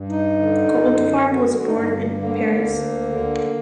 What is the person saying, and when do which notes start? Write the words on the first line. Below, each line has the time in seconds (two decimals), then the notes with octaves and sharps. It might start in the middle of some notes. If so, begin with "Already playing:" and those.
Goldfarb was born in Paris.
Already playing: G2
0.09 D#4
0.39 D3
0.84 F#2
1.28 D3 F#4
1.59 F#4
1.66 D#4
1.73 G2 D4
1.81 D#4
2.18 D3 A#3
2.63 D2
3.09 D3